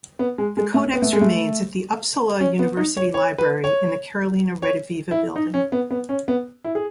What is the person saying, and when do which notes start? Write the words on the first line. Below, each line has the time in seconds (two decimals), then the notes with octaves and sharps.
The codex remains at the Uppsala University Library in the Carolina Rediviva building.
0.19 B3
0.38 G#3
0.57 G#3
0.74 A3
0.94 B3
1.02 A3
1.13 G#3
1.21 A3
2.40 C#4
2.59 B3
2.77 D#4
2.97 C#5
3.14 C#5
3.38 B4
3.64 C#5
4.62 C#5
5.11 E4
5.36 D#4
5.54 C#4
5.72 B3
5.91 B3
6.09 C#4
6.28 B3
6.64 E4
6.75 G#4